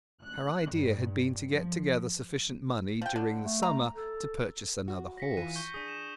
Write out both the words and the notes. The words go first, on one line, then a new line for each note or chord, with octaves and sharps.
Her idea had been to get together sufficient money during the summer to purchase another horse.
F#6
G2
F3
F3 G5
D3
A3
A#5
A4
F#4
A#6 B6 C#7
E3 F4 D#7
C#6 G6 G7
D4 G#4 D#6 B6 D#7
E7